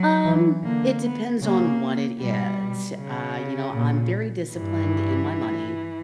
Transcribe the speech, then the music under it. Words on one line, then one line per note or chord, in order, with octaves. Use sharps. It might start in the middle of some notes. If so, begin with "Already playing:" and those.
Um, it depends on what it is, uh, you know, I'm very disciplined in my money,
Already playing: F#3
E3
D3 A#3
B3
C#3 A#3
B2 G3
C#3
A#2
G2 E3